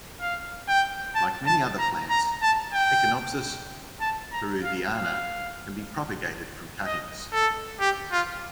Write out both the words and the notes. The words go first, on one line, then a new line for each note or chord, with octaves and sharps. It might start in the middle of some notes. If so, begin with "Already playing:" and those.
Like many other plants, "Echinopsis peruviana" can be propagated from cuttings.
F5
G5
A5
A5
A#5
A#5
A5
G5
A5
A#5
F5
F5
D#5
A4
G4
F4